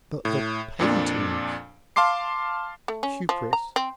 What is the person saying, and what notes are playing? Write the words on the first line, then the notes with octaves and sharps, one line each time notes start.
But the paintings!--Kupris!
A2
F2 A#2 D4
F5 A5 C6 D6 C7
A3
C#4
F3
A#5
C4